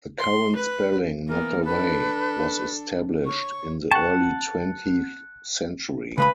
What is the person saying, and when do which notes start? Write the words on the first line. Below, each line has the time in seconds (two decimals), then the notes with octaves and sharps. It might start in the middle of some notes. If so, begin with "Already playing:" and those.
The current spelling "Nottaway" was established in the early twentieth century.
0.19 C6
0.56 B4
1.28 E3 A#3 B3 A#4
1.65 D4 A4 B4
3.26 C#5 C#6
3.91 F#5 G5 A5 C#6
6.18 C#3 G#3 B4 B5